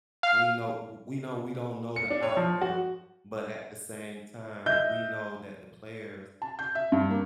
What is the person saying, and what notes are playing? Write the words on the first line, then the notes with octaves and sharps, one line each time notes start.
we know w we know we don't know the outcome, but at the same time, we know that the players,
F5
C#7
D4
C#5
F3
F#4
D#5 E5 G6
A5
G6
E5
G2
A#3